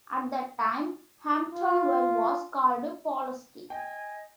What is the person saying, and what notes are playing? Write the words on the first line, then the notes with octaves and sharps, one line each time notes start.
At the time, Hamptonville was called "Pollasky".
F4
D#5 G5 G#5